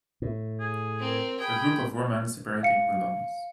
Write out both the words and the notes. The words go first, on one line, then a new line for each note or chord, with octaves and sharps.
A group of women separating melons.
A2
G#4
C4 A#4
G#4 G5 B5
F5 C#7